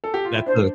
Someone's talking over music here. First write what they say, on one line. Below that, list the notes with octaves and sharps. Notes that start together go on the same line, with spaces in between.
that's a
A4
G4
F4
E4
D4 C5